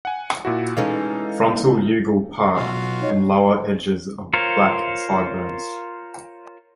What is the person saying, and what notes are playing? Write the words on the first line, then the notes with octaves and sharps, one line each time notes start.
Fronto-jugal part and lower edges of black sideburns.
F#5 G#5
A#2 E4 F#4
E3 G#3 C#4 D#4 A4 F5
B1 E2 F4 F#4 F5
D#4 C#5 D#5
F4 A#4 C5 C#5